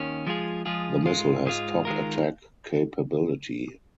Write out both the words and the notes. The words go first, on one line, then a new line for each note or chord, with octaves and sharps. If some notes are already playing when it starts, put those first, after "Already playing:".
The missile has top attack capability.
Already playing: D#2 D#3 C#4
F3 G#3 F4 G#4
F3 G#3 F4 G#4
G#2 G#3 F4
G#2 G#3 F4
D#3 G#3 F4 A#4